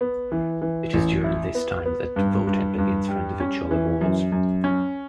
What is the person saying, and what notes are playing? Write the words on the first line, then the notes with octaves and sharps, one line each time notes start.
It is during this time that voting begins for individual awards.
B3
E3
E3
A1
E4
B3
B3
G2
G2
G2
G3
C#4
E3
F#2
F#2
C#4